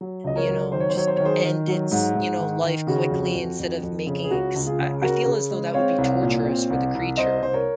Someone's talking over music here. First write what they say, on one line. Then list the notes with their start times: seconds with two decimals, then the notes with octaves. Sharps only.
you know, just end its, you know, life quickly instead of making it 'cause I I feel as though that would be torturous for the creature,
0.01 F#3
0.24 C#2 D#5
0.36 A#4 C#5
0.49 F#3
0.72 D#3 C5
0.80 C#5
0.89 C5
0.95 F#3 C#5
1.07 C5
1.16 C#5
1.20 D#3
1.25 G#4 C5
1.44 D#3
1.68 F#3
1.91 G#2
2.15 G#2
2.39 D#3
2.63 D#3
2.87 C#3 F#4
3.11 F2
3.35 F2
3.59 F2
3.83 F2
4.07 C#3
4.24 G#4
4.30 C#2 F#4
4.55 C#2
4.66 F4 G#4
4.79 C#3
5.02 C#3 F#4 A#4
5.26 C#3
5.51 G#3
5.74 C4 C#5 F5
5.98 C2
6.22 A#2
6.46 C4
6.70 C2
6.95 C2
7.17 C2 C5 D#5
7.42 C2 C5
7.53 A#4 C#5